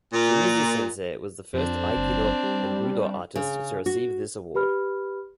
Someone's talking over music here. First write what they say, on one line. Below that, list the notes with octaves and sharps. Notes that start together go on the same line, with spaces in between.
Shimizu-sensei was the first Aikido and Budo artist to receive this award.
A#2
F2 C4 D4
F#1
G3
C#3
F#4
G4 B4 B5 F6